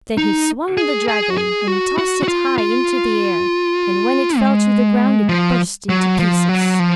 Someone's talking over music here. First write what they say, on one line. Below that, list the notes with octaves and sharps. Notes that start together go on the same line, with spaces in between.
Then he swung the dragon, and tossed it high into the air, and when it fell to the ground it burst into pieces.
D#4
G#4
G#4
F#4
G#4
F#4
F#4
F#4
F4
F4
G#3
F3
F#3
F3
F#3
F3